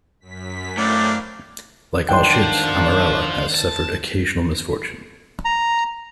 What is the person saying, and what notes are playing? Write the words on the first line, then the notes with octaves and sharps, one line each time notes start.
Like all ships, "Amorella" has suffered occasional misfortune.
F#2 B6
A2 C4 D4 A#4 F5 D6
D#3 E3 G3 D4 G5 C6
D#3 F4 C5 D5 F#5
A5
A#5